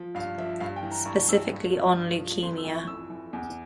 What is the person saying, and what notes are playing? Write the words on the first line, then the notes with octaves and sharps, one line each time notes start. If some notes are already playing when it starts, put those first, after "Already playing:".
Specifically on leukemia.
Already playing: F3
G2 F5
F3 E5
G2 F5
G5
E3
A#5
G2 C#6
E3 E6
G2
F3
G2
F3
F2 C6
E6
E3
C#6
F2 E6
E3
E2